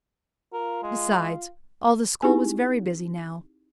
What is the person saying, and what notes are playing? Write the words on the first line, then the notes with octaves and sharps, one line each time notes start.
Besides, all the school was very busy now.
F4 A#4
G#3
C4 D#4 E4 G4 G#4 G#5